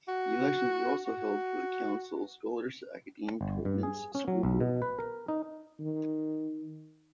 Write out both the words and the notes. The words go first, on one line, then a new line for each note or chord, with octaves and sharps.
Elections were also held for the Conseil scolaire acadien provincial school board.
F#4
F#4
G1
G2
G#4
C#4
F#3
B1
B2
B4
A#4
D#4
D#3